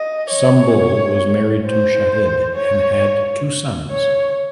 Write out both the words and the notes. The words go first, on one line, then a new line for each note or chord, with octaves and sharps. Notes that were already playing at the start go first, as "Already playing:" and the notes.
Sumbul was married to Shahid and had two sons.
Already playing: D#5
C#5
C5
C#5
C#5